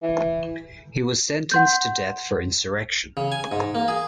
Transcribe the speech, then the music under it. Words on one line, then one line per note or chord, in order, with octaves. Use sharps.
He was sentenced to death for insurrection.
E3
F#5 C6 G6
C#3
G#5
G#2
A#3
G#4